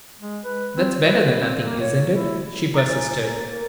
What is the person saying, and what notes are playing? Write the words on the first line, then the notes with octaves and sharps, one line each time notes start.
"That's better than nothing, isn't it?" she persisted.
G#3
B4
C4
B4
C4
A#3
C#5
E4
A#5 A6
G#5
A#3